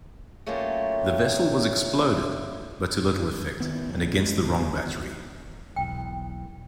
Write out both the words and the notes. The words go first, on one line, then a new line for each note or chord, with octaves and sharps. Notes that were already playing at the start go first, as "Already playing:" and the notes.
The vessel was exploded, but to little effect and against the wrong battery.
F#3 A3 A#3 C#4 F4 G4
D#3 B3
F2
A#1
G#3
A2 D3
E1 B1 E2 G5